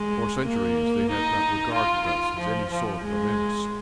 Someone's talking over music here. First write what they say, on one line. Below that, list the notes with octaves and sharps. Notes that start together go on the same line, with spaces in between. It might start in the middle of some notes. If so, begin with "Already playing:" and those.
For centuries they had not regarded us as any sort of a menace.
Already playing: G#3
A#3
D#4
F4
F4
F3
F3
G#3